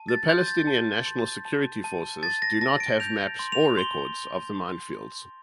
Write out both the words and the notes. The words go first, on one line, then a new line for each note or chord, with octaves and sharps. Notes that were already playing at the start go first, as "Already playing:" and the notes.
The Palestinian National Security Forces do not have maps or records of the minefields.
Already playing: A5
A6
C6 G6
A6
A5
C6
A5
A5
A5 A6
A#6
A5 A#6
D7
G6 F7
C6
F7
C6 G7